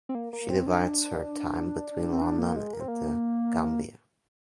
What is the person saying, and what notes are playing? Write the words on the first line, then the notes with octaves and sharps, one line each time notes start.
She divides her time between London and The Gambia.
C4
A#3
A#3
C4
D4
C4
D4
A#3
G#3
A#3
C4
A#3